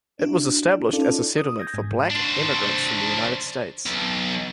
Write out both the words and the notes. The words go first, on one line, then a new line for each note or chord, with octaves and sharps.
It was established as a settlement for black emigrants from the United States.
D4 E4 F#4
C#4 D#4 F4 A4 D5
D#6
G6 G#6 A#6
G#2
D4 C5
B1